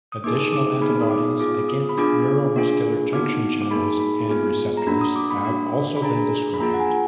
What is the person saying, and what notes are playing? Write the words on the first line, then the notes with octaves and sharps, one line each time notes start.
Additional antibodies against neuromuscular junction channels and receptors have also been described.
D#6
A#3 D#4 G#4 D6
D6
B3 D#4 G#4 B5
D#6
D6
B3 F4 G#4 D6
D#6
B5
B3 D4 F4 G#4 D6
A#3 D4 F4 G#4
B3 D#4 F#4 D6
D6
A#3 D#4 G#4 B5
B5
B3 F4 G#4
A#5
A#3 D4 F#4 B5
D#6
D6
B5
D4 F#4
B5
D4 G#4 A#5
B5
A#3 F4 G#4 A#5
F#5
G#5